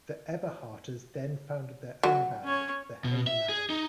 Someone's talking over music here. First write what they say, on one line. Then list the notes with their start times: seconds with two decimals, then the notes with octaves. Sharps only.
The Eberharters then founded their own band, the Hey Mann!
2.03 F#3
2.44 C#4 C#5
3.04 B2
3.27 E5
3.49 G#4
3.70 D#4